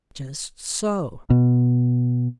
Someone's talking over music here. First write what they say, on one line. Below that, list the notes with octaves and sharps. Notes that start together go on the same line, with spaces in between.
"Just so."
B2